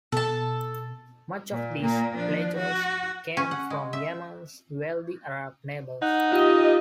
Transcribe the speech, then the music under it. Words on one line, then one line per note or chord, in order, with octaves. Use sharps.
Much of these pledges came from Yemen's wealthy Arab neighbors.
B2 A4 A5
A#2
A#2 A#3
F3 D4
F#4
C#4
F#5
G#3
E5
D#4 F#5
F4 G4 D#5